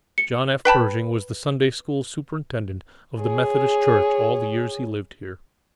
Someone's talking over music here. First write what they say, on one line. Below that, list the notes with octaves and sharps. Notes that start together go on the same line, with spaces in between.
John F. Pershing was the Sunday School superintendent of the Methodist Church all the years he lived here.
C#7
B4 G5 A5 B5
G#4 C#5